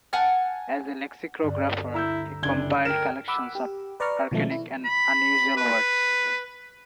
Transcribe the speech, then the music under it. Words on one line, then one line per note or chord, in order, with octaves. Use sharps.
As a lexicographer he compiled collections of archaic and unusual words.
F#5 G#5 A5 F6
D2 G2 D3
E4 A#5 E6 G6
F#1 D4 G#6 G7
D2 A#4 G5 E7
F#5 B5 D6 E6
G4
B4 D5 A#5 C#6 F6
B2 D#3 F3 F#3 G#3 A3
E4
B5
B4